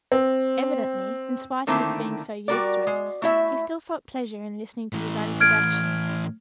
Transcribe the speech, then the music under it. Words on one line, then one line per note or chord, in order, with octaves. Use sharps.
Evidently, in spite of his being so used to it, he still felt pleasure in listening to his own productions.
C4
D3 D#3 A3 A#3 C4 E4
G3 F#4 A#4 D5
G#3
A3 E4 E5
A2 E3
F6 G#6 D7